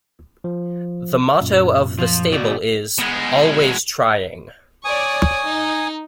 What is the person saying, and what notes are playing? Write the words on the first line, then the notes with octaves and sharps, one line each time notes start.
The motto of the stable is "Always Trying".
F3
F#2 A#2
F3
B2 F#4 D5
B2 G#3
C#5 D5 G#5 C#6 D#6
D#4